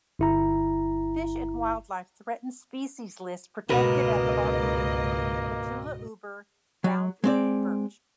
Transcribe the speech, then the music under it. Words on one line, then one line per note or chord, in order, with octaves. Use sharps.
Fish and Wildlife Threatened Species list protected at the arboretum: Betula uber, Round-Leaf Birch.
G1 E4 A#5
C#2 G#2 B2 A#3 A#4 B4 D#5
F#3
G#3 C4 D5